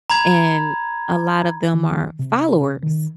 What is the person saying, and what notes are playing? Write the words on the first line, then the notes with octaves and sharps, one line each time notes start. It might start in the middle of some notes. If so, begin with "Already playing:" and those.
and a lot of them are followers,
A#5 B5 G#6
D#3
C3
D#3